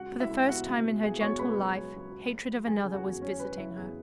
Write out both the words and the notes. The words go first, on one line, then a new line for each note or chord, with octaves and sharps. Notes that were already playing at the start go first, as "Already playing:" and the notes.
For the first time in her gentle life hatred of another was visiting her.
Already playing: C#2 F#4 F#5
C#2
E4 E5
C#2
B2 F#4 F#5
C#2
B2
B2 G#4 G#5
B2 C#5 C#6
C#2 B4 B5
C#2
F#3
C#2
F#3
F#3
F#3
F#3 G#4 G#5
C#3
F#4 F#5
E2
F#3 C#4 C#5
C#3 B4
C#3 E4 E5
E2 G#4